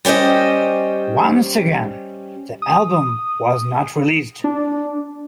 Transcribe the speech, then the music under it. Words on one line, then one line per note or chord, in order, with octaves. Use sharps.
Once again, the album was not released.
G3 C#4 G4 C5 D#5
D#6
D4